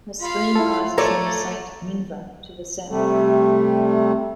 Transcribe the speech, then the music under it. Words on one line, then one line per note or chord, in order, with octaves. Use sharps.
A stream rises near Saint Minver to the south.
F4 F5 B5
E4 A4
A3 A4 C#5 D5 A#5
C3 G3 A3